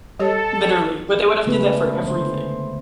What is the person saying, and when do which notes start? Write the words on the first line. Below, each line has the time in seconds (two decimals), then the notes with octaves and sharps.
Literally, but they would have did that for everything.
0.20 G3 G4 A4 C#5
1.46 C#3 G#3 A3 B3 G#4 B4
2.04 D3 C5